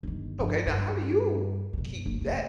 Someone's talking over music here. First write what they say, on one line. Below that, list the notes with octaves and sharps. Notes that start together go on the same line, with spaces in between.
Okay. Now how do you keep that
G1 D#3
G2 F3
G2
F#2 B2
F#1
F1 E2